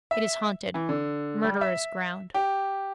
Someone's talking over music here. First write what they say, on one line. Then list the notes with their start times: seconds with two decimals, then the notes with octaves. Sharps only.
It is haunted. Murderer's ground.
0.11 E5
0.74 E3
0.89 D3
1.44 G3
1.61 E5
2.34 G4